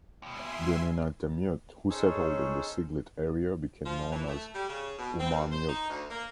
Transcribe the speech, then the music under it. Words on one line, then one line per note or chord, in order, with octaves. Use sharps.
The Nunatamiut who settled in the Siglit area became known as Uummarmiut.
D#2 B2 E5 G#5 C6
C#4 D#4 G#4 A4 C5 C#5
F3
E3
A3
G3
C#3
B2
C4
G2
C5
D#4
D2
A#3